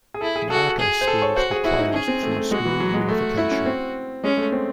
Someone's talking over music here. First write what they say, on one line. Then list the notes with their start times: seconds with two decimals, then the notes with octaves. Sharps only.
Narka schools were closed through school unification.
0.14 G#4
0.21 E4 A4
0.36 G#4
0.50 F#4 A4
0.79 G#4
1.01 C5
1.08 A4
1.22 C#5
1.36 F#4 C5
1.51 G#4
1.65 E4 F#4
1.79 D#4
1.93 C#4 G#4
2.08 C4
2.23 A3
2.37 A3
2.51 G#3 F#4
2.65 E3
2.80 F#3
2.94 G#3
3.09 A3 F#4
3.37 E4
3.51 C#4
3.66 C4
4.24 G#3 C#4
4.38 A3
4.52 C4